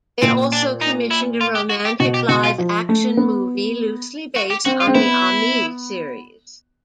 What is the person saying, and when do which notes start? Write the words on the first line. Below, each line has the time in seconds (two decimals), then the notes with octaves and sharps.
They also commissioned a romantic live action movie loosely based on the "Ami" series.
0.22 A#2 C4
0.52 D4
0.81 D#4
1.11 E4
1.41 F4
1.55 G4
1.70 F#4
1.85 G4
2.00 B2 F#4
2.14 G4
2.29 B2 F#4
2.44 F4
2.58 F3
2.89 A3
3.17 B3
4.36 F#4
4.50 G4
4.65 C4 F#4
4.80 F4
4.87 C4
4.95 B3 E4